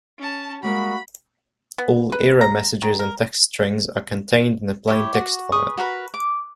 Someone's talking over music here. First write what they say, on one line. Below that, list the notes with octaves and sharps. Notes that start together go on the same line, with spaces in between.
All error messages and text strings are contained in a plain text file.
C#4 A5
G3 G#3 A#3 F#4 B5
B3
B4
A#5
D#3
A#4
E4 G4 C#5
F#4 F#5 C#6
G#4 B4 C#6 D#6
F#4 A#4 B4 B5
D6